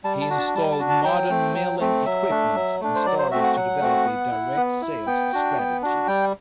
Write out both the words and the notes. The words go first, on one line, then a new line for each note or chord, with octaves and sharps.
He installed modern milling equipment and started to develop a direct sales strategy.
G3 A5
A5
D4 F#4
A5
G3 A5
A5
D4 F#4
A5
F#3 G5
A3 C4
F#3
A3 C4
F#3 E5
A3 D4
F#3
A3 D4
C5
F#3 D5
C5
A3 C4 F#4 E5
F#5
F#3 F#5
A3 C4 F#4
B3
E4
B3
E4
B3 G5
D4 F#4
B3
D4 F#4
G3 G5